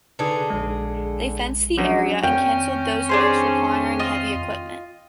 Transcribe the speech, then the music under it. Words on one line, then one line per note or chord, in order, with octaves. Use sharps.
They fenced the area and canceled those works requiring heavy equipment.
D3 D#4 G#4 B4
A#1 G#3
F3 F#3 C#4 D4
F2 D#3 C4 C#4 G5
D4 G#4 C5
F4 D#5